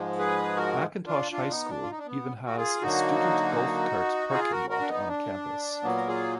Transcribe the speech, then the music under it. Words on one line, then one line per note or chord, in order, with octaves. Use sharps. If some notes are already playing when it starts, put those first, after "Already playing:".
McIntosh High School even has a student golf cart parking lot on campus.
Already playing: G#2 F3 G#3
G#4 B4
F#4 A#4
D4 F4
D4 F4
B3 D#4
D4
F4
D#4
D4
B3
F#4
F4 G#4
D3 F#3 A#3 D#4 F#4
F4 G#4
F#4 A#4
F#4 A#4
D4
B3 D#4
D4
A#2 F#3 A#3 B3
A#4
F4 G#4